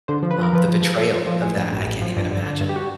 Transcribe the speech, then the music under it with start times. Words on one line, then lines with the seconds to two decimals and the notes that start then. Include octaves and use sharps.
um, the betrayal of that, I can't even imagine.
0.08 D3 C5
0.23 F3
0.31 B4
0.38 F3 A#4
0.53 F3 B4
0.68 F3
0.83 F3
0.97 F3 A4
1.12 F3
1.27 F3
1.42 A1 G#4
1.57 G2
1.72 A1
1.87 A1
2.02 F3
2.17 G2
2.31 D3
2.46 D3
2.61 G2
2.69 G4
2.76 F#4